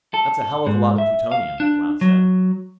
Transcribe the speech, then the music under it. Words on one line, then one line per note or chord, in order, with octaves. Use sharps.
"That's a hell of a lot of plutonium," Blount said.
A4
G#2
E5
F5
D4
F#3